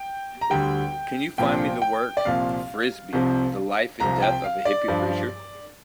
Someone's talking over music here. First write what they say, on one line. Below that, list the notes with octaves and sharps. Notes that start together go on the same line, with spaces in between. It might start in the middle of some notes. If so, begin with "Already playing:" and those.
Can you find me the work, Frisbee: The Life and Death of a Hippie Preacher?
Already playing: G5
A#5
D2 D3 G3 G5
C2 A#2 F3 G5
G5
D5
C2 A#2 F3 F5
C2 C3 F3
C2 C3 F3 A#5
G5
F5
D5
G2 F3